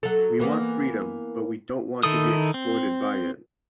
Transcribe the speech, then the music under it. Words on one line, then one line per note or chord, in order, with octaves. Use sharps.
We want freedom, but we don't want to be exploited by it.
F#3 A4
E3 A#3 B3
D#3 D#4 E4 A4 D#6
C4